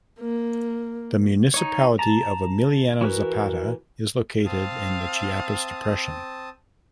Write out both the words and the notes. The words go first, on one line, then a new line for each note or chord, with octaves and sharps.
The municipality of Emiliano Zapata is located in the Chiapas Depression.
A#3
D#4 C#5
A5 A#5
E3 F#4 A#4 B4
C4 F5 A5 D#6